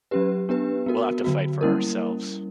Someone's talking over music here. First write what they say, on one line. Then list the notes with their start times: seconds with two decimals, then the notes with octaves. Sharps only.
We'll have to fight for ourselves.
0.11 F#3 C#4 G4 B4
0.49 B3 D4 G4 B4
0.86 B3 F#4 A#4
1.24 D3 F#3 B3 F#4
1.61 G3 A#3 C#4 E4 A#4